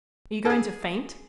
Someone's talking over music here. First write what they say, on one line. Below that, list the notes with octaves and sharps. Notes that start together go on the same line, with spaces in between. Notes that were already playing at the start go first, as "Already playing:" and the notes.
Are you going to faint?
A4
G#4